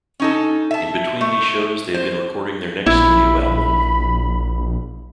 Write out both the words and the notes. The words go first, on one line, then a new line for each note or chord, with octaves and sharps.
In between these shows they have been recording their next studio album.
C#4 D#4 A4
E5 A5
A3
C5
A#1 E4 B5